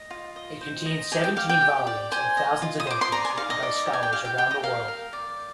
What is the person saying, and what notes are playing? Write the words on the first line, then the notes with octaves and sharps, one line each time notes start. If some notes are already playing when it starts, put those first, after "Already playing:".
It contains seventeen volumes and thousands of entries written by scholars around the world.
Already playing: D#5
F4
D#5
C5
D#5
G4 G#5
G5
G4 F5
G5
G4
D5
C5 G#5
D#5
F4
D#6
C5 D6
C6
D5 A#5
G#5
D#4 F5
D#5
D5
G4
G#5
G5
G4 F5
G5
G4 G5
D#5
A#4 F5
A#4
D5